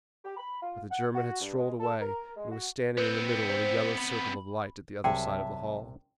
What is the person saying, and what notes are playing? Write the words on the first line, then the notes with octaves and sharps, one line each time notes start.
But the German had strolled away, and was standing in the middle of a yellow circle of light at the other side of the hall.
G4
B5
F4
F#5
F#4
G2
G#3
A4
A#4
G#3
F#4
B3 C4 B4
C5
B5
C2 C3 F#3 G#4 E5 G5 A5